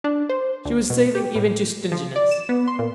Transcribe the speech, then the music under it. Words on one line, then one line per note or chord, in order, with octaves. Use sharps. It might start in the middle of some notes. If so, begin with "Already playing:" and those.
She was saving even to stinginess.
D4
C5
D2
B2
G4
A2
F3
D5
E7
B3
C6
A#2